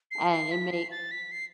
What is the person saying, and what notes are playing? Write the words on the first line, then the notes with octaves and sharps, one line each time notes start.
And it make
C7
C7
B6
C7
A6
B6
C7